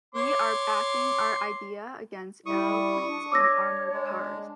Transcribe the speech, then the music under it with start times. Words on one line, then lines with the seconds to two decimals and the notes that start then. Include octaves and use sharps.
We are backing our Idea against aeroplanes and armoured cars.
0.15 C#5 C6 D6
2.46 G3 E4 C#6 D#6
3.08 D4
3.32 C#5 D6 E6 A#6
3.93 G#3